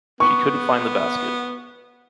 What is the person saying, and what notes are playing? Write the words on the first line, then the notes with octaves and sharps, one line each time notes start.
She couldn’t find the basket.
B3 C#6